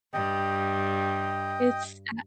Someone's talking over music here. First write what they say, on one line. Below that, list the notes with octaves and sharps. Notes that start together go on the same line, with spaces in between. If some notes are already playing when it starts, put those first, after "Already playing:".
it's I
G2 D#5 G5